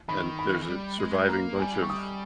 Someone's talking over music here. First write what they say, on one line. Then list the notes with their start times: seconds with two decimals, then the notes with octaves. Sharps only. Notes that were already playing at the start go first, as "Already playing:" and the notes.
and there's a surviving bunch of
0.09 D#3 B5
0.39 B5
0.62 E3
0.69 G3
1.00 G#3
1.29 A#3 A#5
1.59 G3 G#5
1.83 C#6
1.90 D#6